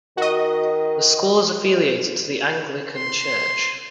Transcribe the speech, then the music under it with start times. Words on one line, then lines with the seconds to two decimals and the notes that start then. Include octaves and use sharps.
The school is affiliated to the Anglican church.
0.17 D#3 F#4 D#5
2.96 C6